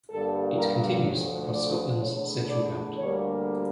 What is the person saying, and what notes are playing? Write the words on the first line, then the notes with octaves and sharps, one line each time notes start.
It continues across Scotland's Central Belt.
G2 D3 G3 A#3 A4
A#4
D2 D3 F3 A3 C#5
D5
E2 D3 A3 C#5
D5
D2 D3 G3 A#3 C#5